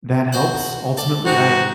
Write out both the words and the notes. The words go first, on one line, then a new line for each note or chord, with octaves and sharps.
that helps ultimately. I
F#4 C5 F#5
A4 D5
G#2 C4 D#4 F#4